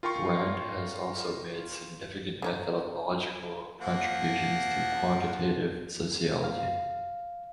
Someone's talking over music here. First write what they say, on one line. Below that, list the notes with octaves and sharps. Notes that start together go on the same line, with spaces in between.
Brand has also made significant methodological contributions to quantitative sociology.
F4 A#4 G5 C6 C#6
D3 C#5 A#5
F3 A#3 F#5
F5